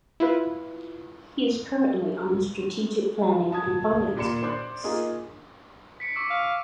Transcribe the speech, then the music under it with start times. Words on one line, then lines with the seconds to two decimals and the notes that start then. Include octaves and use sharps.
He is currently on the Strategic Planning and Finance committees.
0.20 E4 F4 B4
3.52 A5 D#6 G#6
4.16 A#2 A#3 D5 C6 C#7 E7
4.42 C5 D5 C6 D6 F#6
4.84 A#3 D#4 F4 G#4
6.00 B6 C#7 D7
6.16 C#6 D6 E6
6.30 F5